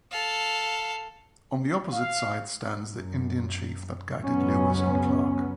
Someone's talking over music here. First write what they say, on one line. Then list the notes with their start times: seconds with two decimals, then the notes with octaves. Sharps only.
On the opposite side stands the Indian Chief that guided Lewis and Clark.
0.11 A4 F5
1.92 F5
2.89 F#2
4.22 C#2 F#2 F#3 B3 C#4